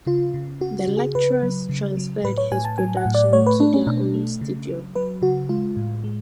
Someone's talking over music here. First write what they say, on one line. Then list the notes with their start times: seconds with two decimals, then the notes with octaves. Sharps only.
The lecturers transferred his production to their own studio.
0.07 C#3 F4
0.34 C#3
0.61 C#3 F#4
0.80 F#4
0.88 C#3
0.97 G#4
1.15 C#3 B4
1.42 F#3
1.69 C#3
1.97 F#3
2.24 A2 B4
2.38 C#5
2.51 A2 G#5
2.65 A5
2.78 F#3 G#5
2.97 F#5
3.05 A2
3.14 D5
3.33 A3 C#5
3.46 B4
3.59 A3 D4
3.74 C#4
3.87 B2 D4
4.14 A3
4.41 C#3
4.69 F#3
4.95 F#3 B4
5.22 C#3 F#4
5.49 G#3 F4
5.77 A2
6.04 G#3